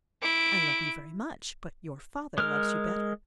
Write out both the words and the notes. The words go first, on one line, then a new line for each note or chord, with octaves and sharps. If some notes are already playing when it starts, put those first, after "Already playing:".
"I love you very much, but your father loves you better."
E4 D7
G#3 A#4 F6